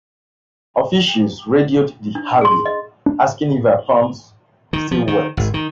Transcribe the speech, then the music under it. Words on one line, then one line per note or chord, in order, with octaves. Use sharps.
Officials radioed the "Harvey," asking if her pumps still worked.
D4
G#4 C6
D#5
D4
D#3
F3
D#3
G#1
D#3